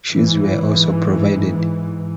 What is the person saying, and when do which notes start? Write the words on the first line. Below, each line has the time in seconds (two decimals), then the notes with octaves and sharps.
Shoes were also provided.
0.13 G#2 E3